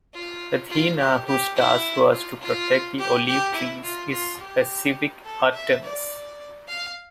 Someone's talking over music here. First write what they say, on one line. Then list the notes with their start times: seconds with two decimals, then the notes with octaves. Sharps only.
Athena whose task was to protect the olive-trees is a civic Artemis.
0.13 F4
0.70 F4
0.98 G4
1.27 G4
1.55 E4
2.12 F4
2.40 F4
2.98 G4
3.27 G4
3.54 E4
3.83 F4
4.11 F4
4.40 G4
5.25 A4
5.53 E5
5.83 D5
6.67 F5